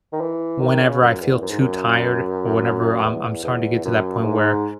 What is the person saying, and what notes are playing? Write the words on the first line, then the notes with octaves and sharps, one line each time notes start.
whenever I feel too tired, or whenever I'm I'm starting to get to that point where
D#3
E3
D#3
C#3
F#2
E2
F#2
G#2
F#2
E2
E2
F#2
G#2